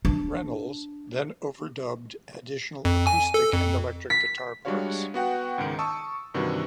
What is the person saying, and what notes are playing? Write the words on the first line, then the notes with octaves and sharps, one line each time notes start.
Reynolds then overdubbed additional acoustic and electric guitar parts.
D4
F2
G#5
A4
F2
B6
G3 G#3 D4 F#4 C#5 F5
B3 F#4 F#5 G5
C#2 G#2 D#3 D7
A5 C#6 D#6 E6
G2 C3 D#3 E3 G3 F#4